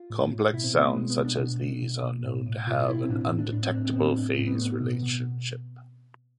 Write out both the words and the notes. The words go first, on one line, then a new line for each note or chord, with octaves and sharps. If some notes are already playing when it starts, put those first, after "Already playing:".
Complex sounds such as these are known to have an undetectable phase relationship.
Already playing: F4
A2
A2
B2 E4
C4
B2 B3
A3
B2 G#3
B3
B2
D4
B2
B2
B2
B2
A2
A2
B2 F4
B2 E4
C4
A2 D4
C4
A2
D4
A2 D4
C4
A2 D4
C4
B3
A2 C4
A2 D4
A2 C4
B3
A3
A2 B3
B2
B2